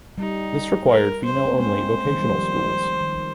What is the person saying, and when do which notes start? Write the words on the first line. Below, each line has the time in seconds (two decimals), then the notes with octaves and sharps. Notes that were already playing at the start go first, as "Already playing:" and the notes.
This required female only vocational schools.
0.18 G3 D#4
0.88 A#4
1.24 C5
1.37 C#4
1.45 C4
1.53 A#3
1.59 G#3 C5
2.06 D#3
2.20 G3
2.30 F3
3.01 D#3